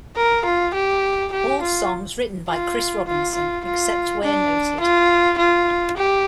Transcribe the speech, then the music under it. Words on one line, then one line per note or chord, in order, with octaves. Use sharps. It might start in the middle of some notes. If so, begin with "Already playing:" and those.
All songs written by Chris Robinson, except where noted.
A#4
F4
G4
G4
F4
F4
F4
F4
F4
D4
F4
F4
G4